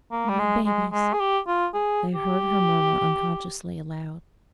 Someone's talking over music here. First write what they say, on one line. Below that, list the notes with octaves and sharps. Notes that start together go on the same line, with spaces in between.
"My babies!" they heard her murmur unconsciously, aloud.
A#3
G3
G#3
G#3
G#3
G#4
G4
F4
G#4
G4